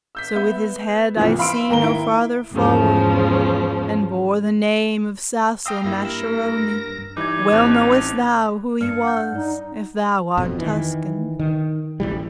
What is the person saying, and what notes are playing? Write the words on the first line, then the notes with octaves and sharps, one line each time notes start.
So with his head I see no farther forward, And bore the name of Sassol Mascheroni; Well knowest thou who he was, if thou art Tuscan.
E6 G6 B6
B3 E5 G6
C2 E3 F3
F5 B5 C6 E6 D7
D#2 G#2 A#4 A#5 G7
E4 D7
E2 G#2 C#3 F3
F5 G5 A#5 C6 D#6 E6
G2 G3 A#3 E4 A#6
A#4 E7
E3 G3 D#4 E4 D6 G#6
A1 C4 A5 F#6 F7
G2 F6 C#7
F#5 G6
D#4 D5
F2 B2
D#3 E3
D#3
A1 D#3 E3 G3